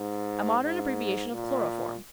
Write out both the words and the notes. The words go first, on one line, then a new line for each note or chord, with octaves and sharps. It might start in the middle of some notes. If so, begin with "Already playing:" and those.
A modern abbreviation of chloroform.
Already playing: G#2
G#2
A#2